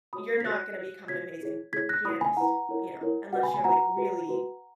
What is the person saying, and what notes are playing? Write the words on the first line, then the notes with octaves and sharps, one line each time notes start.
you're not gonna become an amazing pianist, you know, unless you're, like, really
F#4 C#5 B5 D#6
B6
F#4 C#5 F#6 A#6
F#4 C#5
F#4 C#5 G#6 B6
E4 G#4 C#5
E4 G#4 C#5 G#6 B6
F#6 A#6
E4 B4 B5 D#6
G#5 B5
E4 B4 F#5 A#5
E4 A#4 C#5
E4 A#4 C#5
F#4 B4 F#5
G#5 B5
G#5 B5
F#4 B4 F#5 A#5
F#4 B4
F#4 B4